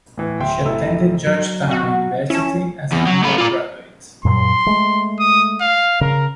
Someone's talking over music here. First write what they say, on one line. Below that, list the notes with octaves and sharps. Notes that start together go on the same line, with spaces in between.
She attended Georgetown University as an undergraduate.
A2 E3
D1 E5 G5 C6
F1 E4 A4
F#3
F#4
C#4 E4 A5
E2
F#3
A3 B4
F4 D5
F#2 A#2 F#3 C6
G#3 A3
D#6
F5
C#3 A#4